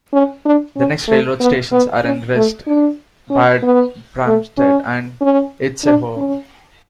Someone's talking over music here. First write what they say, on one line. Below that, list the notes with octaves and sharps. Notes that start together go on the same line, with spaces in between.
The next Railroad stations are in Wrist, Bad Bramstedt and Itzehoe.
C#4
D4
C#4
A3
B3
B3
C#4
A3
D4
C#4
B3
A3
C#4
C#4
D4
C#4